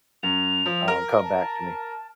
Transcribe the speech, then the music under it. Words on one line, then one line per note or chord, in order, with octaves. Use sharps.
um, come back to me.
F#2 F7
F3
A#4
A5